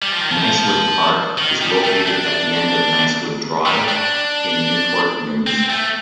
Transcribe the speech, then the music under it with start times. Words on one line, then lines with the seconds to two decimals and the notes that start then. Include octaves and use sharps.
Nicewood Park is located at the end of Nicewood Drive in Newport News.
0.02 G3
0.12 F3
0.21 D#3
0.31 F3
1.38 D#3
1.61 G3
1.84 A3
2.06 D4
3.66 G3
3.88 D4
5.47 C4
5.70 A3